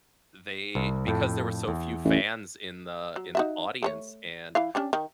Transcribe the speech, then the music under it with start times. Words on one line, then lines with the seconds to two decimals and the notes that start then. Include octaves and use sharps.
they because there were so few fans in the in the audience and,
0.75 C2
1.07 F2 A2
1.68 E2
2.04 A1
3.16 F#3
3.35 D#4 F#4 E5
3.83 A3 A4 C#5
4.55 E3 E4 F5
4.75 C#4 D4 G4
4.93 D#3